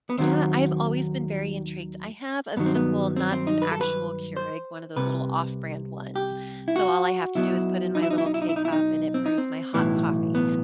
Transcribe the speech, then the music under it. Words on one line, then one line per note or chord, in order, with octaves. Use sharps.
yeah, I've always been very intrigued. I have a simple, not an actual Keurig, one of those little off-brand ones, so all I have to do is put in my little K-Cup, and it brews my hot coffee.
B3
D#2 D#3 F#3 C4
G2 D#3 F#3 B3
C4
B3
C4
C4
D#4
B4
A4
B4
C5
C2 C3 B4
G4
E4
F#4
B1 B2 F#3 E4
D#4
E4
D#4
E4
D#4
E4
D#4
E4
D#4
E4
D#4
C4
D#4
C4
B1 A2 E3 B3
B3